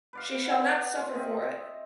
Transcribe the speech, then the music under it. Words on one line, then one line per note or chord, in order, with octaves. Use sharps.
She shall not suffer for it!
B4 D5 F5
F#5
F4
C4 D#5 E5